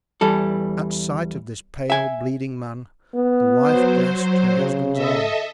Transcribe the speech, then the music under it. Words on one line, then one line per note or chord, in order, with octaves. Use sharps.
At sight of this pale, bleeding man, the wife grasped her husband's arm.
E2 E3 G3 A4
E5 G#5
B3
F#3 C5
C#3
A4 D#5 E5